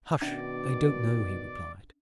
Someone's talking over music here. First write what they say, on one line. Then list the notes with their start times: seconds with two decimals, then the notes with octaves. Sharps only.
"Hush, they don't know," he replied.
0.22 B2 D#3 C#4 D4 D5 E5 D6